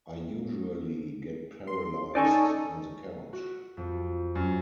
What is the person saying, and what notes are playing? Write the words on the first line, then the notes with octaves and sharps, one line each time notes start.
I usually get paralyzed on the couch.
C6
C#4 D#4 A4 D5 G#5 C#6
F#4
F2
F#2